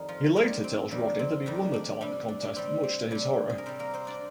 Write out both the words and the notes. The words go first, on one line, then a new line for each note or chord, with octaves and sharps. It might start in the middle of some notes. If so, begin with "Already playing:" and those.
He later tells Rodney that he won the talent contest, much to his horror.
Already playing: F2 D#3 G3 D#4
F3 F4
F2 D#3 G3 D4
C4
F2 D#3 G3 D4
C4
F2 D#3 G3 D4
D4
C3 G3 D4
D4
D4
C3 G3 C4
C4
C3 G3 D4
G#4
A#4
C3 G3 C4 C5
A#3 A#4
C4 C5
D4 D5